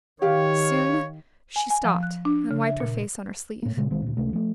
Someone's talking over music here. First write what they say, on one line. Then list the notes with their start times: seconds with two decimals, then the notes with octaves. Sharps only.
Soon she stopped and wiped her face on her sleeve.
0.22 D#3 G4 C#5 F5
1.56 G#5
1.70 G#5
1.84 F3
2.03 F#6
2.25 D4
2.51 C#3
2.67 E5
2.80 A#2
3.63 A2 A#3
3.77 A#2 C#3 G#3
3.90 B1 D#3 G#3 C4
4.02 D2 A#2
4.17 C#2 C3 G#3 A3
4.33 F3 A3